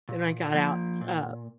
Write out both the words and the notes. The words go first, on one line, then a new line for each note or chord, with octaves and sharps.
Then I got out, uh,
A#2
F3 A#3
A#2